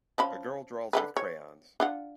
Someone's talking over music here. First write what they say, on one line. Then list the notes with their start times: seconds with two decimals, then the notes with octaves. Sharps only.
A girl draws with crayons.
0.18 F3 C#4 B5
0.93 D3 G#3 B4
1.17 C#5
1.80 D4 F4 F#5